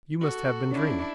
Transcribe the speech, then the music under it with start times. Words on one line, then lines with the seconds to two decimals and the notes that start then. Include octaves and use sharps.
You must have been dreaming!
0.21 F#4 A4
0.71 C#4 D4 E4